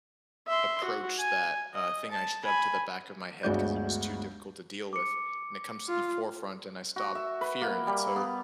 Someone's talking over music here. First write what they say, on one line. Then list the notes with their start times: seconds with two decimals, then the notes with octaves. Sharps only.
approach that, uh, thing I shoved to the back of my head 'cause it was too difficult to deal with. And it comes to the forefront, and I stop fearing it. So, u
0.47 E5 C6
0.84 F#4
1.19 G#5
1.74 D#5
2.11 A5
2.44 G#5 B5
3.43 G1 D2 G#3 F#4 D5 G6
4.93 D6 C#7
5.89 F4
6.96 F#4
7.15 E5
7.41 B4
7.61 A#3
7.87 G3
8.16 B3